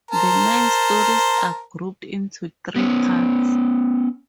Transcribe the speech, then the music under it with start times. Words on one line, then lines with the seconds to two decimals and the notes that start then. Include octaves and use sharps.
The nine stories are grouped into three parts.
0.11 A#4 C5 A5
2.76 B3 C#4